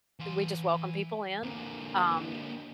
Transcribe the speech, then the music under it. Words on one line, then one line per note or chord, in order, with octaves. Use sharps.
we just welcome people in. Um,
E3 C6
D3 A#3